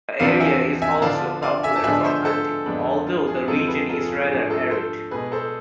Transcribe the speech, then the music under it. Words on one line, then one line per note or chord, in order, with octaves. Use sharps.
The area is also popular for hunting, although the region is rather arid.
E2 C3 F3 B3 D4 D5 F5
E5 G#5
E5 G#5
D3 F3 B3 D4 F5 A5
D5 F5
E5 G#5
A5
D3 F3 G#3 B3 D4 E5 G#5
C5 E5
A4 C5
F2 D3 G#3 B3 D4
F4
G#4
F2 C3 G#3 C4 F4 A4
G#4 B4
F4 A4
G#4
F4
G#4
G#2 F3 A3 D4 G#4
F4 A4
A4 C5
B2 G#3 B3 G#4 B4
A4 C5